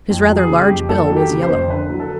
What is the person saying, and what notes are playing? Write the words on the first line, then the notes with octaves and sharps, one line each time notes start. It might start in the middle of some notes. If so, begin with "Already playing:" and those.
His rather large bill was yellow.
F2
F#3
G#4
C#3
G4
F2
F2 A4
F#3
G4
C#3
C5
F2
D3 B4
F#3
A4